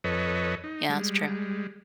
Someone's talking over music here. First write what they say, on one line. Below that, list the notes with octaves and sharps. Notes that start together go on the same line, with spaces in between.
Yeah, that's true.
F2 A4 B4 C#5 D#5
D#4
G3 G#3